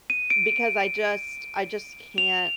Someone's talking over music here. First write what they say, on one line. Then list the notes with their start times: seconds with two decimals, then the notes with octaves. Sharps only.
because I just I just can't
0.10 D#7
0.30 D7
2.18 F7